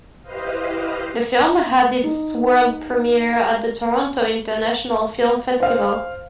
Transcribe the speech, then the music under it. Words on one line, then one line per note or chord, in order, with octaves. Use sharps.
The film had its world premiere at the Toronto International Film Festival.
E4 G4 B4 C5 D#5 F5
D#4
C5 F5